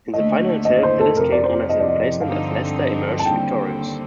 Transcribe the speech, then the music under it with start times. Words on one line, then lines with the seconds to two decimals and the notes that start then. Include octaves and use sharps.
In the final itself Ellis came on as a replacement as Leicester emerged victorious.
0.13 D#2 D3 A3 D#5
0.65 D#5
0.83 C5
1.00 A4
1.17 F2 C3 F3 A#4
1.32 D5
1.44 C5
1.69 D#5
1.80 D5
1.89 D#5
2.21 G2 D3 F3 C4 D#4 F5
3.19 A5
3.25 D#2 D3 G3 C4 G5